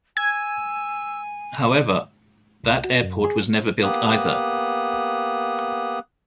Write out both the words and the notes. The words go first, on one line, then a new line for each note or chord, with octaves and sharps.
However, that airport was never built either.
G#5 E6 G#6
C2
F#4
F#2
G#4
A#3 B3 G4 D#6 F#6